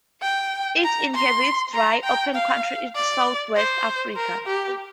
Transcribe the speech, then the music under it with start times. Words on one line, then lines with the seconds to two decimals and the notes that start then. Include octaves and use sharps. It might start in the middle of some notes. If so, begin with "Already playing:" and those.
It inhabits dry, open country in southwest Africa.
0.23 G5
0.84 A#5
1.14 C6
1.74 A#5
2.04 G5
2.35 F5
2.96 D5
3.56 C5
4.17 A#4
4.47 G4